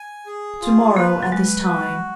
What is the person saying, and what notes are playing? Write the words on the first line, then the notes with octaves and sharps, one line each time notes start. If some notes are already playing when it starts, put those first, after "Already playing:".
"To-morrow, at this time."
Already playing: G#5
G#4
F4
A#3 B4
F#3
G#3 B4
F#4